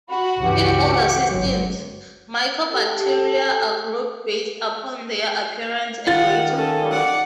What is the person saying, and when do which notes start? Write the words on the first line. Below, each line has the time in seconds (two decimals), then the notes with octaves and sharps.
In older systems, mycobacteria are grouped based upon their appearance and rate of growth.
0.11 F#4 B5
0.39 C#2 G2 E3 G4 F#5
1.29 G1 F#3 G#3
2.73 G4 A4
6.07 D#3 F4 F#5 A6
6.54 C#4 A4
6.92 D5 F#5